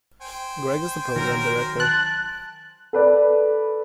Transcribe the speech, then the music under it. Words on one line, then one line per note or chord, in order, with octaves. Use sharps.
Greig is the Program Director.
C5 G5 G#5
D#3 F#3 A#4
A5 F#6
A4 B4 D5